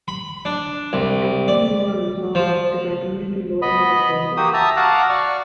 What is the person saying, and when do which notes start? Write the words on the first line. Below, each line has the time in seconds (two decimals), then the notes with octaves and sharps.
I see you are resolved to continue to load me with benefits.
0.08 B5
0.45 D4
0.93 C2
1.48 D5
2.35 F3
3.62 B3 D#5 B5
4.37 A#3 F#4 G4 D#6
4.54 E5 A5 A#5 D#6 E6
4.77 F#4 F5 F#5 A5 A#5 D6
5.09 D5 C#6